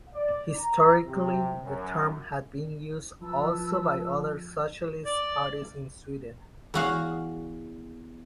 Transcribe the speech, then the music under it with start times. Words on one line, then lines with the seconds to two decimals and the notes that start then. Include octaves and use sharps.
Historically the term had been used also by other socialist parties in Sweden.
0.14 D5
0.56 A#5
1.06 C3
1.64 F#2
3.22 F3 B4 A5 E6
5.05 D5
6.74 E2 F#4 F5